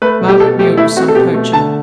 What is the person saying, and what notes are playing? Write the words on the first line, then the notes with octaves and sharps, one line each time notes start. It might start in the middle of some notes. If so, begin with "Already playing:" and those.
Margaret knew it was some poacher.
A3 B4
B2
G4
B2 A4
A3 G4
A3 E4
C4 F#4
A4
B2 G4
A3
D3 A5